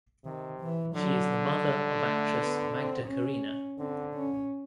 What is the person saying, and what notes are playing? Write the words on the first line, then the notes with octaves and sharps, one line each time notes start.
She is the mother of actress Magda Karina.
C3 D#3
E3
D3 F#3
G3
A3
B3
C4
C#4
D3 C4
C#4